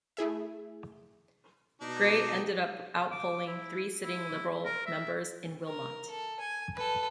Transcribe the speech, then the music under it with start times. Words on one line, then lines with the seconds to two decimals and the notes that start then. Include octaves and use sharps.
Gray ended up out-polling three sitting Liberal members in Wilmot.
0.17 A3 E4 G#4 E5
1.81 B2 D4 D#4 D6
3.11 D6
3.47 E4
4.03 E4
4.65 A#4
4.86 E5
5.67 A#4
6.10 A4
6.40 G#5
6.76 A4 B4